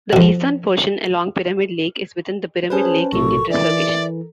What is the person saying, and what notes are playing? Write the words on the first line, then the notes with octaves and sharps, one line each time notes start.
The eastern portion along Pyramid Lake is within the Pyramid Lake Indian Reservation.
F2 B2
F3 C#4 G#4 B4 C5 A5
B1 A2 C3 A4 A#4 C#6
E3 D5 E5